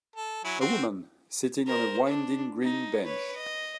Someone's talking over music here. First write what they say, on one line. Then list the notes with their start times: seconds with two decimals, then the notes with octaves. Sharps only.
A woman sitting on a winding green bench.
0.16 A4
0.45 F#3 E4 G#5
0.61 C4 F#4 C5
1.67 A#4 C5
2.06 D4
2.63 D#4
3.05 B4 C#5
3.36 D#5